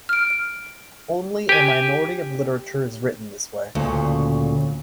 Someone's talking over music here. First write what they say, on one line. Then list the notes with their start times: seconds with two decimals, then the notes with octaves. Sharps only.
Only a minority of literature is written this way.
0.09 F6 D7
1.49 G4 G#5
3.75 D2 A#2 C#3